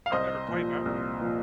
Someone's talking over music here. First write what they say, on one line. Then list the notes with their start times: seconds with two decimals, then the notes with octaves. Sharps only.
I've never played that one.
0.06 F5
0.12 C2 C5 D#5
0.48 A#2 F3
0.85 C2
1.21 A#2 F3